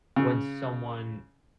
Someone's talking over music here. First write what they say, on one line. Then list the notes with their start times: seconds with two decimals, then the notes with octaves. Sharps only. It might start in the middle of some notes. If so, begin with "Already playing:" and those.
when someone
0.16 C#3